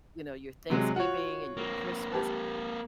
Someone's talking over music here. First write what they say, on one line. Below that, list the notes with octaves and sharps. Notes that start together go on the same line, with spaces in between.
you know, your Thanksgiving and your Christmas,
C3 F#3 G#3
F4 F#4 C#5 F#5
A#3 C4
G4 A5